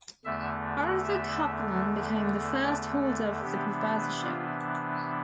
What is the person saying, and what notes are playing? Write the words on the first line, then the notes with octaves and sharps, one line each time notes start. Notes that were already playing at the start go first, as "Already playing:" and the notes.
Arthur Caplan became the first holder of the professorship.
E2 D3 A3 E5
E5
D5
A4
C3 E3 B3 D4 G4
F4